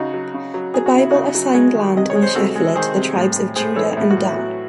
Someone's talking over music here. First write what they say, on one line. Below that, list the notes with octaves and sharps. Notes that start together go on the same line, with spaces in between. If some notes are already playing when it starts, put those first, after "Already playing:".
The Bible assigned land in the Shephelah to the tribes of Judah and Dan.
Already playing: C#3 D#4 F#4
F#3
C#3
F#3
F#3 G#4
F#4
C#3 E4
C#3 D#4 F#4
F#3
G#3
D#3
C3 D#5
C#5
G#3
C5
C3 F#4 A4
G#3
D#3 G#4 C5
C3
A2
A2
A2 G#4 C5
E3 A4 C#5
A2 E4
F#4
A2
E4
F#3